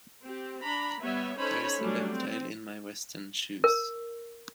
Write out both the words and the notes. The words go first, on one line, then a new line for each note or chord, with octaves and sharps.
There is a reptile in my western shoes.
C4 G4
D4 A#5 B5
G3 B3 C#5 E5
C#4 D#4 A4 C5 C#5 B5
F#3 G3 A3 C#4 D4
C4
A#4